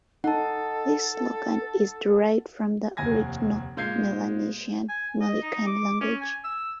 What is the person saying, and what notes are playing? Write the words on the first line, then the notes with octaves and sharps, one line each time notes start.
This slogan is derived from the original Melanesian Moluccan language.
D#4 A4 F#5 A5
F1 D#2 G#5 G#6 A#6
A#2 G#3 F5 G6 G#6 C7
G#5
D#5
D#4
D6
C#4
G#5
E6